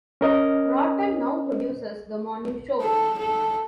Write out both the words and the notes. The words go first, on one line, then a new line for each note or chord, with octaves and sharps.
Roten now produces the morning show.
C#4 A#4 D#5
A4
A4